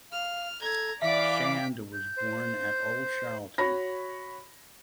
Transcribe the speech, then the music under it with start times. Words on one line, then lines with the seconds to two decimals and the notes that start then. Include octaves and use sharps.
Shand was born at Old Charlton.
0.12 F5 F6
0.61 A4 A#5 G#6
1.02 E3 D5 E5 F5 D6 B6 D7
1.93 G6
2.17 C5
3.58 F#4 C#5 B5 A#6